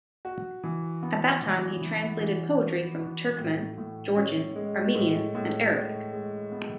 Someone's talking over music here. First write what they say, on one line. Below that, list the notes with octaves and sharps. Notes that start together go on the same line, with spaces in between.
At that time he translated poetry from Turkmen, Georgian, Armenian and Arabic.
F#4
E3
B3
E3
E3
E3
F#4
F#4
A2
A2
C#4
G#3
A2
A2
A2
G#3
B3